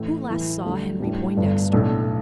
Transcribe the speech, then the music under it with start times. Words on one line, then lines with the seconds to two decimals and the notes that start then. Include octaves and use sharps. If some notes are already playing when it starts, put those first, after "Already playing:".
Who last saw Henry Poindexter?
Already playing: A1 A2 E3
0.27 A2 E3 A3 E4
0.63 D2 D3 G3
0.99 A1 A2 G3 D4
1.37 G1 G2 D3
1.72 B1 A2 A3 D4